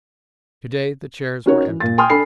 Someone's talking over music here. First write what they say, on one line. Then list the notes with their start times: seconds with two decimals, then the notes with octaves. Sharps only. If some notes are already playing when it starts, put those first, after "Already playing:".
Today the chairs were empty.
1.46 C#4 D#4 F#4 A#4 C#5
1.67 E3
1.80 A#2 A6
1.98 G5 G#5 C6 D#6 F6
2.10 D4 A4 G#5 B5 C7